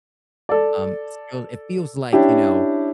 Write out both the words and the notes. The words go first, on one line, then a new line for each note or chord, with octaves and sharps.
um, it's feel it feels like, you know,
A4 D5
C#4 D4 E4 G4